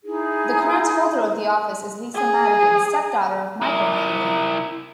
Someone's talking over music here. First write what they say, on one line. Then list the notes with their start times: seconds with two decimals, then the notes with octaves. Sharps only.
The current holder of the office is Lisa Madigan, step-daughter of Michael Madigan.
0.03 D#4 E4 G#4
2.14 G#4
3.62 E4 A#4